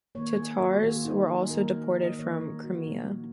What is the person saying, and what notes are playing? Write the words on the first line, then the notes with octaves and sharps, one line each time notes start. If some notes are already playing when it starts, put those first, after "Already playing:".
Tatars were also deported from Crimea.
D#3 A#3 C#5
G#4
F#4
D#3 A#3 F4
D#4
G#4
D#3 A#3 A#4
D#5
D#3 A#3 C#5
A#4
F#4
A#2 F3 A#3